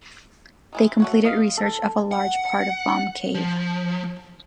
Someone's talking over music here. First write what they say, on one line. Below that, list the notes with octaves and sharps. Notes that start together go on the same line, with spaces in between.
They completed research of a large part of Vom Cave.
D#3 G#3 E4
A3 F#4 C#5
F4 D#5 F5
A4
F#5
F3